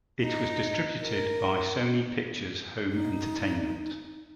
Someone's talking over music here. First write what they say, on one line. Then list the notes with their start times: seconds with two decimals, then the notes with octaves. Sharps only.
It was distributed by Sony Pictures Home Entertainment.
0.21 D#4
1.01 A#4
2.92 D#4